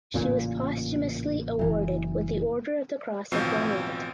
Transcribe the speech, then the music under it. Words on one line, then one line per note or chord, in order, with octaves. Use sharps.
She was posthumously awarded with the Order of the Cross of Grunwald.
A1 A#2 C#3
F#1 E3
A1 D#2 B2 F3 C4 C7